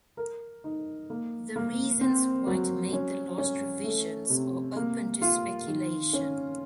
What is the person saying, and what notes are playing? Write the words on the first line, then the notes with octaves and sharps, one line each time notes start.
The reasons White made the last revisions are open to speculation.
A#4
D#4
A#3
A#3
C4
F#3
C#4
C#4
A3
C3
A#3
F4
D#3
C#4